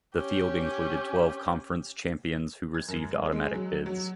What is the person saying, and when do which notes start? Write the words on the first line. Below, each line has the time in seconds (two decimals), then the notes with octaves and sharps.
The field included twelve conference champions who received automatic bids.
0.14 C#4 G4
2.74 G#6
2.88 F#2
3.13 G#3
3.32 G#3
3.54 F#3
3.86 F#3